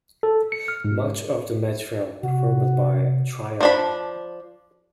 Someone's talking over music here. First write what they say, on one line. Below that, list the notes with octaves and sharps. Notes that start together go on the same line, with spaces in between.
Much of the material performed by Trio!
A4
C#7
F6
G#2
C3 F#4
F3 D4 B5